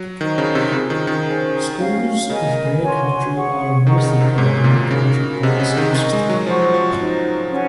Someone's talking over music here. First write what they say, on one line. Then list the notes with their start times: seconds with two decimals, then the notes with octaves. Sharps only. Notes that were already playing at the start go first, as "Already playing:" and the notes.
Schools is Greene County are administered by the Greene County Public School system.
Already playing: F#3
0.21 D#3 C5 D#5 A#5 C#6
0.38 C#3
0.55 C3
0.72 C#3 C#4 F4 G#4 C5
0.90 D#3
1.07 D#3
1.25 C#4 G#4 C5
1.77 C#4 F#4 C#5 F5
2.29 C#3 A#4 D#5 G#5
2.82 F#4 C#5 G#5 C6
3.34 G#4 C#5 F#5 C#6
3.86 D#3 G#4 D#5 F#5 A#5
3.98 D#3
4.04 C#3
4.21 C3
4.38 G#2 C#4 F#4 C#5
4.64 A#2
4.90 C#3 D#4 F#4 A#4
5.43 C3 G#4 D#5 F#5
5.60 C#3
5.77 D#3
5.95 D#3 A#4 D#5 G#5 C#6
6.13 G#3
6.29 F#3
6.47 F3 C5 F#5 C#6
6.61 F#3
6.74 F3
6.99 D#4 F#4 C5
7.52 C#4 F#4 C#5 F#5